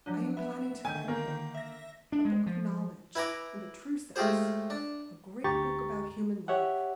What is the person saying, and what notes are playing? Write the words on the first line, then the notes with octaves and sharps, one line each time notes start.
I am planning to write a book--a book of knowledge, in the true sense--a great book about human life.
F3 F#3 D4
B3 E5
D3 D#3 G#5 G6
A#3 A#4
E5 A#6
D4
G#3
F3
E4 B4 G#5 A#5 D6
G#3 A3 F4 G4 G#4 C5
D4
D2 G4 A#5 C#6 A6
G4 C#5 E5 F#5